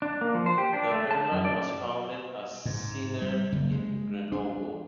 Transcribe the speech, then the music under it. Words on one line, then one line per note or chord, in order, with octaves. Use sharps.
The airline was founded as Sinair in Grenoble.
D4
A#3
F3
C5
G4
D4
A3
A5
F#2
D5
G#2
G3
F#1
G#3
D4